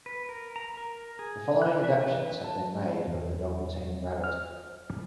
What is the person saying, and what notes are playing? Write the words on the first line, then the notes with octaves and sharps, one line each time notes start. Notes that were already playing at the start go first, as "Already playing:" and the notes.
The following adaptations have been made of "The Velveteen Rabbit".
B4
A#4
A#5
A#4
G#4
F#6
E5
B4
A5
E2
F6